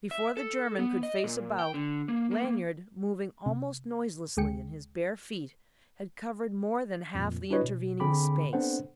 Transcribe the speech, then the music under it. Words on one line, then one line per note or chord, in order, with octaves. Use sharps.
Before the German could face about, Lanyard, moving almost noiselessly in his bare feet, had covered more than half the intervening space.
E5
A4
B3
D#5
A#2
G5
D3
A#3
A#3
A#3
C3
D2 G#3 G#4 G5 C#7
F2 A#2
D4 E4 F#4 B4 C#5 D#5
B2
D3 C4 G#4 G5 B5 D6
B3 C4 D4 A4 C5 F#5